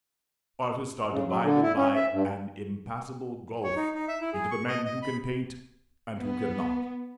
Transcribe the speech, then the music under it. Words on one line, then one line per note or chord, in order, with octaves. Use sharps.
Artists are divided by an impassable gulf into the men who can paint, and who cannot.
C#3
F#3
D3
E4
C#4
E5
G2
C#5
D#4
D#4
E5
E4
G#4
C#6
D#5
D#5
B5
B3